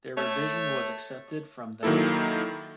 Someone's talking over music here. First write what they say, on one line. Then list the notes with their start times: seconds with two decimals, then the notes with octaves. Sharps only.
Their revision was accepted from then on.
0.17 A3 C#5
1.83 D#3 F#3 A#3 E4 A4